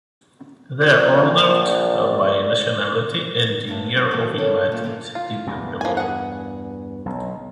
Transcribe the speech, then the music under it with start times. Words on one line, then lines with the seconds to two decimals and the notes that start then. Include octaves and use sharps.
They are ordered by nationality and year of United debut below.
0.78 A#1 D5
3.67 D#2 A2 C3 B4 A5
3.97 F#3 G3
4.11 D3 E3 F#3 A#3 F#4 A5
4.38 D4 D#4 A4 A#4 C#5
4.72 A#2 A#3 A4
4.83 F#2 A#2 C#3 F3 A3 A#3
5.15 F4
5.47 E2 G2
5.81 F3 G#5
5.97 G#4 F#5
7.06 B1